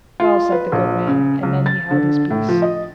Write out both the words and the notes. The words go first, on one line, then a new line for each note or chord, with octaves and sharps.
Well, said the good man, and then he held his peace.
F4
B4
A#1
C#3
C#2
A6
D3
A2
F3
D#5